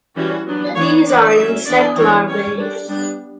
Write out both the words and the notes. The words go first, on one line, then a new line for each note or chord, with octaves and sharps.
These are insect Larvae.
E3 G3 C#4 F#4
F#3 B3 D4
E3 B3 D4 C#5
E3 B3 D4 D5
F#3 C#4 E5
E3 B3 D4 D5
E3 G3 B3 D4 C#5
G3 C#4 C#5
G3 D4
G3 B3 D4